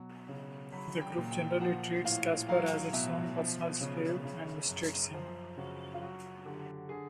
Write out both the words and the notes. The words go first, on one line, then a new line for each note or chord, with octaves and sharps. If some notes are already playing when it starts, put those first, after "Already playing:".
The group generally treats Casper as its own personal slave and mistreats him.
Already playing: B2 F#3
C#3
F#3 B5
G5
A#2
G5
F3 F#5
A2 F5
F#3 F5
B2 E5
F3
C#3
C#3
F#2
F3 C5
C#3 F#4
F4
F#3 F#4
D3 G4
D3 G#4